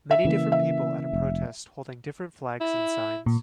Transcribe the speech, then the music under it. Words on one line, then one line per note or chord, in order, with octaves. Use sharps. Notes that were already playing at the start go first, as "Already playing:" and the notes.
Many different people at a protest holding different flags and signs.
E5
C#3 E3 A#3
E5
F1
E4
A#2